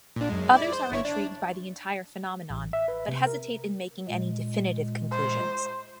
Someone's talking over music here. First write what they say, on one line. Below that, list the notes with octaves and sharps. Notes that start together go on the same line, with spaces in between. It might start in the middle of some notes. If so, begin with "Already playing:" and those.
Others are intrigued by the entire phenomenon, but hesitate in making any definitive conclusions.
A#2 D4
F#2 G#3
E4 D5
C5
G1 E4 C#5
D4
A1
E5
B4
C3
A#4
A#2 G#3
C5